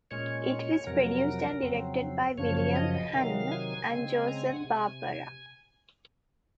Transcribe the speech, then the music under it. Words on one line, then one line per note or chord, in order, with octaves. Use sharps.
It was produced and directed by William Hanna and Joseph Barbera.
A#2 G#3 C#4 C#5
F2 C3 F#3 A#4
F2 C#3 F#3 C4
F#2 C#3 F3 C#5
C#5
D#5
D#5
C3 D#3 F#3 F5
G#5
C#3 G#3 C4
A#5
G#5
F#5
G#5
C3